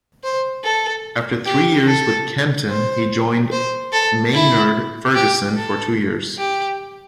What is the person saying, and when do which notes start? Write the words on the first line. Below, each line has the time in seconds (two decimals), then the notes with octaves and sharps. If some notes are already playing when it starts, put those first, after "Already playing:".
After three years with Kenton he joined Maynard Ferguson for two years.
0.24 C5
0.64 A4
1.46 G4
1.87 A4
2.70 C5
3.52 C5
3.93 A4
4.34 E4
5.15 G4
5.57 A4
6.38 G4